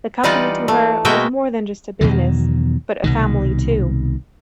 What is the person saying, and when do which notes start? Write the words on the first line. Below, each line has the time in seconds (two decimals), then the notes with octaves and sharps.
The company to her was more than just a business, but a family too.
0.24 E3 G3 D#4 F4 D5 F#5
0.68 A3
1.05 B2 G#3 A#3 F#4 E5 G5
2.01 E2 B2 D#3 F#3
3.04 C2 B2 D#3